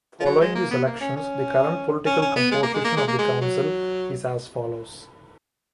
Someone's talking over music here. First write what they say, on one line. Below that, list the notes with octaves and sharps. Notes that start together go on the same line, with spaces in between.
Following these elections the current political composition of the council is as follows.
F3
F#3
G#3
A#3
B3
A#3
C#4
C#4
C#4
C#4
B3
G#3
A#3
G#3
A#3
G#3
A#3
G#3
F#3